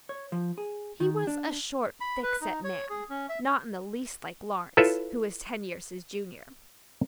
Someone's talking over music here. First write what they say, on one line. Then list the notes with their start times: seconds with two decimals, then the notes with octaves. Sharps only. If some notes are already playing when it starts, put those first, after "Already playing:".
He was a short, thickset man, not in the least like Lawrence, who was ten years his junior.
0.09 C#5
0.32 F3
0.58 G#4
1.00 D#3
1.27 D4
2.01 B5
2.23 B4
2.42 D#4
2.64 C#5
2.90 G#4
3.10 C#4
3.29 E5
4.77 E4 F4 A4 B4 C#5 E5